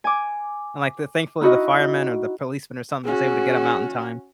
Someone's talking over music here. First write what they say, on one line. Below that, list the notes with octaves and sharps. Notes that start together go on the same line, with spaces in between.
and, like, the thankfully the fireman or the policeman or something was able to get him out in time.
G#5 D6
D#4 E4 F#4 D#5
C#4 F#4 G#4